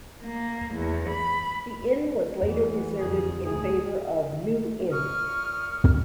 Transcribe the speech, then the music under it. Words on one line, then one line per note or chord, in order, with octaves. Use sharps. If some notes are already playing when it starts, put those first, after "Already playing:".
The inn was later deserted in favour of New Inn.
A#3
E2
B5
E3 B3
F2 D3 F3 G#4
D2 G#2 G#4
A#2 C#6 D#6 F6